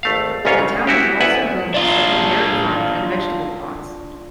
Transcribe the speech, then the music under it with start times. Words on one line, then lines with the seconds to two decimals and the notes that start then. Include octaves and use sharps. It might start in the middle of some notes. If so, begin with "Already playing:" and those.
The town is also home to several dairy farms and vegetable plots.
0.03 G#1 A3 F5
0.45 G1 C2 G#2 C#4 F4 C#5
0.59 C#3
0.87 E4 F#4 G4
1.20 D2 B3 E4 B4 E5 F#5
1.74 D4 F4